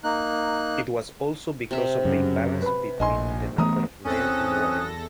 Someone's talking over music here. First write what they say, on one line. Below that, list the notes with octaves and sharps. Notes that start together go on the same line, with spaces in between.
It was also because of the imbalance between the number of men and women.
A#3 D#4 F#6
C3 E5
F#2 C#3
B4 B5
A#1 D#5 G#5 C6
E3 A3 B3 A#5 D#6
E2 C4 C#4 A4 D#6 F#6 A#6